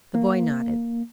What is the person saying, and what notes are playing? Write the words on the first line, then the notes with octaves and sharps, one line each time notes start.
The boy nodded.
A#3